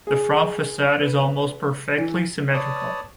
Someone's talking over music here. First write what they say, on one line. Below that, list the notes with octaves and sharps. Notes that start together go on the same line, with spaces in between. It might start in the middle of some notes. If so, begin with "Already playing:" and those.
The front facade is almost perfectly symmetrical.
G#4
B4
E3
B4 C#5 D5 A5 D#6